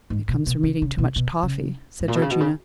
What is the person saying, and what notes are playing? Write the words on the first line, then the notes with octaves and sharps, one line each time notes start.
"It comes from eating too much toffy," said Georgina.
G#2
B2
B2
C#3
C#3
B2
B2
C#3
G#2
A#2
B2
C#3
B2
C#3